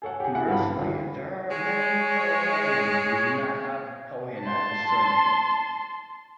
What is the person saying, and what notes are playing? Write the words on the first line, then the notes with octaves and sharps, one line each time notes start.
Conversely, there are many kohanim who do not have Cohen as a surname.
G#4 A4 C#5 F#5
G4 G#4
E4 F#4 F#5
G2 F4 G5 B5
A1
D2 E3
G#3 C#5
A5 C6